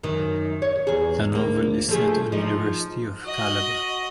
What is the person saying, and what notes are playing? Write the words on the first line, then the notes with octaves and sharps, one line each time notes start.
The novel is set on University of Calabar.
F#2 D#3
C#5
E2 G#4
D2 A#3
F3 A3 G#4
F3 D#4
F#4 D#5